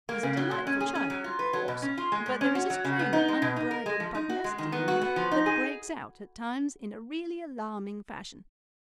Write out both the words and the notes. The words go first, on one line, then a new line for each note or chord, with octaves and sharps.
He's a delightful child, of course, but there is a strain of unbridled pugnacity in him that breaks out at times in a really alarming fashion.
A#3
C#3
F#3
A#2
C#4
G#4
C#4
F#3
F4
B4
F#3
B2
C#4
F4
G#3
A#2
C#4
F#4
F#3
C#3
B3
D#4
G#3
B2
D#4
A#4
G#3
F3
D#4
F#4
G#3
D#3
B3
F#4
B3
F3
D#4
G#4